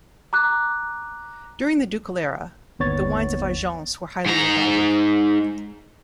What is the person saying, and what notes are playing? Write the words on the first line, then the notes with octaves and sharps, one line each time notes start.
During the ducal era the wines of Argences were highly regarded.
A#5 D6 F#6
G1 D#2 B3 C#5 A6
G#2 A#5